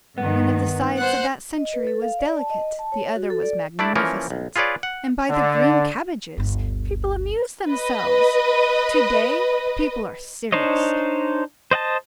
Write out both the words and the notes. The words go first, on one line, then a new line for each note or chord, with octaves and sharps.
One of the sides of that century was delicate, the other was magnificent; and by the green cabbages! people amused themselves. To-day, people are serious.
G2 D#3 B3
C5 F#5 F#6
D#5
B4
A4
F5
D5
A5
D#5
A5
C#5
F#4
A4
D5
A3 D4 E4 D5
E3 F3 A#3 C#4 A#4
B1
F4 G#4 B4 C#5 D5
F#5
D3 D5
G1 D2
B4 D#5
D4 D#4 C5 C#5 D#5
C5 D#5 F#5 A5